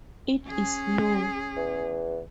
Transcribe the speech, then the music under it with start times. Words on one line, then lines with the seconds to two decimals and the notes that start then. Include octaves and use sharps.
It is slow.
0.46 C#4 G#4
1.56 E2